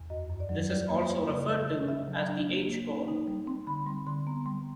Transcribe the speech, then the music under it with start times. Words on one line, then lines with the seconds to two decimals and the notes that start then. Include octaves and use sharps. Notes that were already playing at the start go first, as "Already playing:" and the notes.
This is also referred to as the "H chord".
Already playing: E2
0.10 F#2 D#5
0.30 F#2
0.40 D5
0.49 F#3
0.70 G3 D5
0.89 A#3 C#5
1.09 G3 C#5
1.29 C#3 D5
1.49 C#3 D#5
1.69 C#3 D#5
1.88 C#3 E5
2.08 F#3
2.18 A#5
2.29 D4
2.48 A#3
2.68 A#3
2.88 D#4
3.08 D#4
3.28 G3
3.47 C4
3.67 D3 B5
3.86 G3 C6
4.07 D3 C6
4.27 B3 A#5
4.46 G3 C6